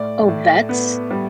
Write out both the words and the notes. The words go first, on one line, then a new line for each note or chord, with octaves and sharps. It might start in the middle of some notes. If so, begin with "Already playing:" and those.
Oh, vets?
Already playing: A2 D5
A2
B3
G3